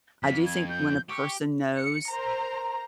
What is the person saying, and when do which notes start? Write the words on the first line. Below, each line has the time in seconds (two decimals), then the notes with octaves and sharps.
I do think when a person knows
0.23 F2 B6
0.46 G#6
0.69 G6
1.10 G4 C#6
1.78 C#7
2.10 A#4 C5 A#5